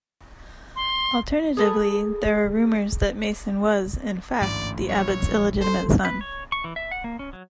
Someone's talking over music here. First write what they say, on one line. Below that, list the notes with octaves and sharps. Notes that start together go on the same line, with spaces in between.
Alternatively, there are rumours that Mason was, in fact, the abbot's illegitimate son.
C6
G#4 A4 B4
A1 D2 G#2 D5
A#1 D#2 G3 C#5
A4 C5 C6
B4
C#5
C#6
E3
E5
F#5
A#3
C#4
F#3